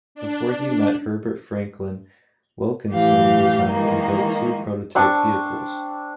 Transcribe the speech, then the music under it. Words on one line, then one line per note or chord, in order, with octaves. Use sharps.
Before he met Herbert Franklin, Wilkinson designed and built two prototype vehicles.
D4
A2 E3 G4 F5 G6
D#3 E3 G#3 A#3
C4 D4 C#6